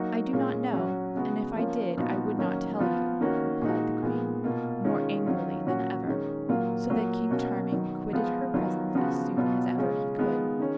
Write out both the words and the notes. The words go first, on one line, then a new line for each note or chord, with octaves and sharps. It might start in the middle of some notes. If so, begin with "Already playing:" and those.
"I do not know; and if I did, I would not tell you," replied the queen, more angrily than ever; so that King Charming quitted her presence as soon as ever he could.
Already playing: F#3 A#3 D#4 F#4
A#2 G#3 C#4 F4
F#3 C#4 F#4
C#3 G#3 B3 F#4
F3 A#3 C#4
A#2 F3 B3 D#4 F#4
D#3 F#3 A#3 C#4
F3 B3 F4
D#3 A#3 C#4 F#4
A#2 G#3 D#4 F#4
A#2 G#3 B3
B2 A#3 F4
D#3 G#3 C#4 F4
D#3 F#3 C#4 F4
A#2 F#3 C#4 F#4
D#3 G#3 C#4
A#2 F#3 A#3 F4
A#2 F#3 A#3
B2 A#3 C#4 F#4
D#3 F#3 B3
F3 G#3 B3 F4
D#3 F#3 B3 F4
C#3 F3 B3 F#4
B2 F#3 B3 F4
C#3 G#3 C#4 F4
D#3 G#3 B3 F4
D#3 G#3 C#4